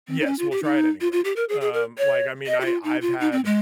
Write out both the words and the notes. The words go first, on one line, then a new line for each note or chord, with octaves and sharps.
Yes, we'll try it anyway. Um, like, I mean, I I've had,
C4
D#4
C#4
F4
G4
D#4
F4
F4
G4
A#4
G#4
G#4
A#4
C#5
D#5
G4
F4
D#4
F4
D#4
C4
G#3